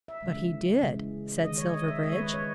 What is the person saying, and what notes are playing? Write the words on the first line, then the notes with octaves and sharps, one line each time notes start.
"But he did," said Silverbridge.
E5
C#3 E3 G#3
C#3 E3 G#3
D#3 G#3 D#5
C#5
D#5
E5
D#3 G#3 D#5
C#5
B4
C#5